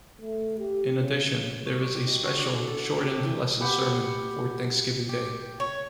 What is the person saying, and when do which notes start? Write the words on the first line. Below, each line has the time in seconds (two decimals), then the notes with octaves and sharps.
In addition, there is a special, shortened Lesson-Sermon for Thanksgiving Day.
0.21 A3
0.58 G4
0.98 C#3
1.66 C#5
1.79 D5
1.94 G4
2.07 D#5
2.23 F#4
2.38 D4
2.54 A4
2.67 A4
2.81 F#5
2.96 G4
3.13 D3
3.24 E3
3.60 G4 B4 F#5
5.09 G4
5.60 C#5